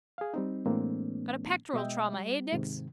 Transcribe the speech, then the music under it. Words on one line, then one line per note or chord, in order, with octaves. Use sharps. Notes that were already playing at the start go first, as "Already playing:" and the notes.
Got a pectoral trauma, eh, Dix?
G#4 F5
G3 C4 D#4
A2 E3 G#3 A#3 C4 D4
B2 G#3 D#5 E5 G5
G3
G#2 C3 D#3